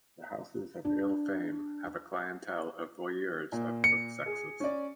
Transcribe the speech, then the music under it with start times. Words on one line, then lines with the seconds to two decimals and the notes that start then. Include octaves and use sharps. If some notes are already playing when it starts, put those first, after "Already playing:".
The houses of ill-fame have a clientele of voyeurs of both sexes.
0.85 D4
3.52 A#2
3.84 C#7
4.26 G#4
4.60 C#4 D5